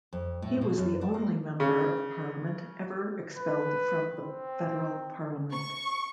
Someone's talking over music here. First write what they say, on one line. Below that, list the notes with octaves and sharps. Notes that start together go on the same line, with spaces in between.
He was the only Member of Parliament ever expelled from the Federal Parliament.
F2
A2
B2
F#2
D4
A#3
C#3
B4
C4
C#6